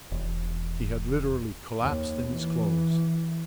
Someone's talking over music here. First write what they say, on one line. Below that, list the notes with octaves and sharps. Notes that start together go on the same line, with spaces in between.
He had literally collapsed in his clothes.
E1
D#2
E3